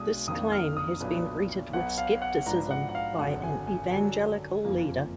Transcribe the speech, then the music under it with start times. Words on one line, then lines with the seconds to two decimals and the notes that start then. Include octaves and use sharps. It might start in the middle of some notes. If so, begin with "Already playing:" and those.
This claim has been greeted with skepticism by an evangelical leader.
Already playing: B1 B2 G#3 D4 D#6
0.27 F2 D#3 A#3 D4 D#6
0.52 F6
0.77 D#6
1.00 B1 A#2 F#3 B3 D4
1.73 B1 B2 F#3 B3 F#5
1.98 F5
2.22 F#5
2.46 G#2 F3 B3 D4 A#5
2.71 F#5
2.89 F#5
2.95 F5
3.19 G#1 F#2 D3 G#3 F#5
3.43 G#5
3.67 G#5
3.91 F#2 D3 F#3 D4 G#5
4.65 F#1 F2 F3 A#3